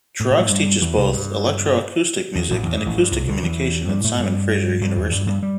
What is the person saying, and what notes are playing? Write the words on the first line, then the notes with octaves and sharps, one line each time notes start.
Truax teaches both electroacoustic music and acoustic communication at Simon Fraser University.
A2 A3
A2 A3
A2 A3
G2 G3
E2 E3
C2 C3
G2
E2
A1 A2
E2
G2
A1 A2
G2
C2 C3
D2 D3
E2 E3
G2 G3
A2 A3
G2 G3
G2 G3
E2 E3
G2 G3
G2 G3
G3